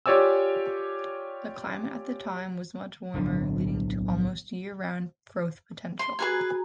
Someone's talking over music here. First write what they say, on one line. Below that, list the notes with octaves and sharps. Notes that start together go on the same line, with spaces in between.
The climate at the time was much warmer, leading to almost year-round growth potential.
F4 G4 C#5 D5 G#5 E6
D1 B1 D3 D4
C6
F#4 G#4 B4 G#5 A#5